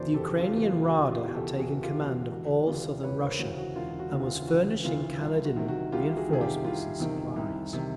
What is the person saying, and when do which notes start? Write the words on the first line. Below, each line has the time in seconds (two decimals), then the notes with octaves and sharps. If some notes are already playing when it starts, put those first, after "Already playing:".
The Ukrainean Rada had taken command of all southern Russia, and was furnishing Kaledin reinforcements and supplies.
Already playing: F#1 E2 B2 C5 D5
0.14 F#1 G4 A4
0.39 F4 G4
0.52 E2 B2
0.62 F4
0.86 F#1 F#4
1.11 F4 G4
1.22 E2 B2
1.35 G4 A4
1.59 F#1 F#4 G#4
1.83 F4 G4
1.95 E2 B2
2.08 F#4
2.32 E1 F#4
2.67 D2 C#3 E3 F4 G4
3.03 E1 B4 C#5
3.22 A#4 C5
3.39 D2 C#3 E3 F#4
3.58 F#4
3.76 E1 F4
3.99 F#4
4.12 D2 C#3 E3
4.23 F4
4.40 F4
4.47 E1 F#4
4.84 D2 C#3 E3 F4
5.20 C2 F4
5.45 F#4
5.56 C3 D#3
5.68 F#4
5.92 C2 F4 G4
6.17 F#4 G#4
6.29 C3 D#3 G#4
6.40 F4 G4
6.64 C2 F4
7.00 C3 D#3
7.36 C2
7.73 C3 D#3